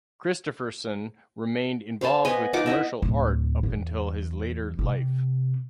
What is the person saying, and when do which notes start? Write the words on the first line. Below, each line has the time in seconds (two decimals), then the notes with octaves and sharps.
Christopherson remained involved with commercial art up until his later life.
2.01 C5 F5 G#5 A5
2.25 B3 B4 D#5 G#5
2.53 D#4 F4 F#5 D6
2.66 E4 D#5 E5
3.02 D1
3.63 E2
4.79 C3